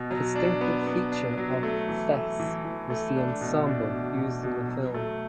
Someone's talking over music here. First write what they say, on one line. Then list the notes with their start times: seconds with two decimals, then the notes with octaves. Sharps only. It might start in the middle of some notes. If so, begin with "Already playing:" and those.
A distinctive feature of "Thes" was the ensemble used in the film.
Already playing: B2
0.11 F#3
0.35 D4
0.61 B3
0.87 B3
1.12 D4
1.38 F#3
1.63 A3
1.89 E3
2.14 A3
2.40 E3
2.65 E3
2.90 A3
3.16 D4
3.41 B2
3.67 D4
3.93 B2
4.18 B2
4.43 B2
4.68 F#3
4.94 A3